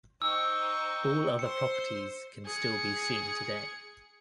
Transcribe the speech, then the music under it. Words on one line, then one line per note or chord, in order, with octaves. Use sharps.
All other properties can still be seen today.
D#4 C5 G5 C#6 E6
C5 C6 C#7
G#4 C#7